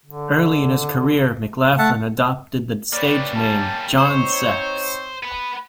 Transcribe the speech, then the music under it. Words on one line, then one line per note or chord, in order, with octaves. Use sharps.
Early in his career, McLaughlin adopted the stage name "John Sex".
D3
A3 E5 F#5 A5
G3 A#3 B4 C#5 D5
C#4 G4 A5
C4 D#4 C5 C#5
B3 B4